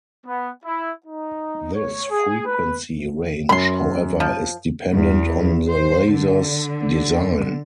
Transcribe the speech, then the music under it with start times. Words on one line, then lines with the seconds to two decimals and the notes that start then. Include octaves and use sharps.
This frequency range however is dependent on the laser's design.
0.24 B3
0.64 E4
1.06 D#4
1.73 C#5
2.10 G#4
2.45 B4
3.49 F#2 B5 C6
4.20 F3
4.95 E2
5.70 C5
6.14 D3